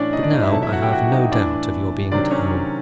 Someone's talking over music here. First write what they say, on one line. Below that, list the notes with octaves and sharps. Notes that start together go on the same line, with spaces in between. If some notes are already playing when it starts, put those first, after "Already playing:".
But now I have no doubt of your being at home.
Already playing: A2 E3 C#4 D4 C#5 D5
D#4 D#5
D4 D5
D#4 D#5
E4 E5
B2 F#3 A4 A5
E4 E5
F#4 F#5
G4 G5
F#4 F#5
D#4 D#5
A2 E3 D4 D5
C3 D#3 F#3 D4 D5
C#4 C#5